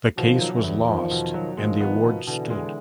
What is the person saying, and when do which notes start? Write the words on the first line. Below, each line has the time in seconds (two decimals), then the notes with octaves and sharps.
The case was lost and the award stood.
0.17 B2 D#3 F3
0.41 F#3
0.53 D3 E3
0.64 E2
0.87 E2 D#3 F3
1.11 B2
1.34 F#3
1.57 D#3 F3 G#3
1.81 B3
2.04 B2
2.26 B2 D3 E3
2.50 G#3